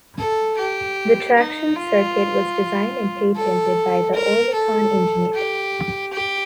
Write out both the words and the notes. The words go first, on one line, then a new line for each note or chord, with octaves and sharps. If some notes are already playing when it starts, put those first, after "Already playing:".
The traction circuit was designed and patented by the Oerlikon engineers.
A4
G4
D#4
F4
A4
A#4
A4
G4
G4